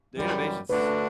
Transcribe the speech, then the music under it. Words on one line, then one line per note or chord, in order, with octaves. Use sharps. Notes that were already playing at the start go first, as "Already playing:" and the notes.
The innovation's
F#2 E3 G3
D3 A3 D4 F#4 B4